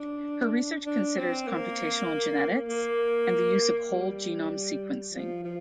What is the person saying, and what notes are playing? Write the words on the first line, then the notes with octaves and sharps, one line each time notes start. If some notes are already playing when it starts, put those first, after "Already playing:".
Her research considers computational genetics and the use of whole genome sequencing.
Already playing: D4
D4
C4
A#3
A#3
G3
F3
F3